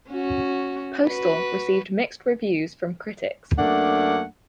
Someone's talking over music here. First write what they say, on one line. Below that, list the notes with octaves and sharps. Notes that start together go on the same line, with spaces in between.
"Postal" received mixed reviews from critics.
C#4 F#4
F#4 B4
F#2 A3 A#3 D4 F#5